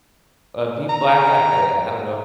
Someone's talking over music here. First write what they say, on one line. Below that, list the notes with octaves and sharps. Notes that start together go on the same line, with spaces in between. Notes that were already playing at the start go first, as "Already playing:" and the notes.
and people uh, yeah, I I I don't know.
A#5